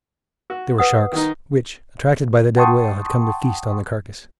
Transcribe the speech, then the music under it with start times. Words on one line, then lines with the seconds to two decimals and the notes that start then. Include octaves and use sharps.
They were sharks, which, attracted by the dead whale, had come to feast on the carcass.
0.50 F#4
0.78 B4 F#5 D#6
1.12 D#3 D#4
2.56 F#5 G5 A5 C6 C#6 D#6